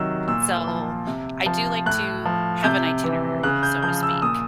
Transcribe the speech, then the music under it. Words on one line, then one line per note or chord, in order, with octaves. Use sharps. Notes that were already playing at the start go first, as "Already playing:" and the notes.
So, I do like to have an itinerary, so to speak.
Already playing: C3 D#3 F#3 E6
A#2 E6
F3
C3
F3
A2 F#6
F3
C3 G6
E3
C#3 F#6
G6
F3 G6
E6
A#2 D#6